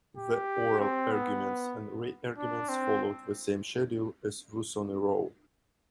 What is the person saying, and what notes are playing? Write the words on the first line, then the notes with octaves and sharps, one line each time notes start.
The oral arguments and re-arguments followed the same schedule as those in "Roe".
G4
C4
B3
D4
C4